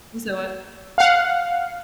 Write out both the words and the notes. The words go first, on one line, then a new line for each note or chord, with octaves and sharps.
You say what?
F5 F#5